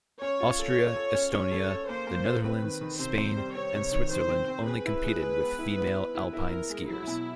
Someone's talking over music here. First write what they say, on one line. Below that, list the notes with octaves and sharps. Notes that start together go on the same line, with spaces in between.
Austria, Estonia, the Netherlands, Spain, and Switzerland only competed with female alpine skiers.
C#4 C#5
F4
A4
F4
A4
C#4
C#4 C#5
A4
A4
A#3 C5
A#3
A4
C4 B4
D#3
D#3
C3 C5
C3
G3
C4 C#5
C3
D#3
D#3 C5
C4
C4
G#4 B4
E4
G#3
G#3
B3
E4
B3
E4
E4
E4 A#4
E4
G#3
F#3 E4
B2